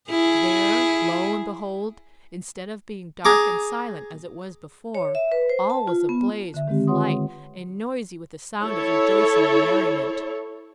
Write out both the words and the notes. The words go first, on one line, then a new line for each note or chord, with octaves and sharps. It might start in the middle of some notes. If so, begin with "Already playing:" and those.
There, lo and behold! Instead of being dark and silent, as it was before, all was ablaze with light and noisy with the sound of rejoicing and merriment.
E4 G#4
G#4 A#5 D6
C#5
E5
B4
C5
A5
F4
B3
D3 E5
D#3 G#3 C4 G4
F4 B4 C#5 F#5 C6 D#6
E4 A4 C#5